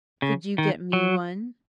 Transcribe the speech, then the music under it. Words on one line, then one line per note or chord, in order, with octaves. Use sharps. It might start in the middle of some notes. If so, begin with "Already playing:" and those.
"Could you get me one?"
C#3
D#3
F#3